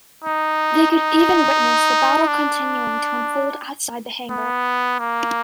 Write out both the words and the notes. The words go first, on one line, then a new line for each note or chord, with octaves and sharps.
They could even witness the battle continuing to unfold outside the hangar.
D#4
D#4
D4
B3
A#3